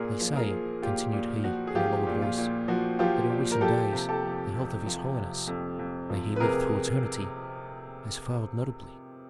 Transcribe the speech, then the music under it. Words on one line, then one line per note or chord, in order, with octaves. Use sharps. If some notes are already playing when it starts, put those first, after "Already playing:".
"They say," continued he, in a lowered voice, "that in recent days the health of his holiness--may he live through eternity!--has failed notably."
Already playing: A#2 G#4 A#4
F3
G#4 A#4
F3
A#2 F4 G4
A#2
F3 F#4
G#4
F3 F4 G4
A#2
F4
A#2
F3 F#4
F3 F4 G4
A#2
A#4
F3 G4 A4
C3
G4 A4
F2
F2
F3
C3
F2
F2
F3
B4
C3 G#4 A#4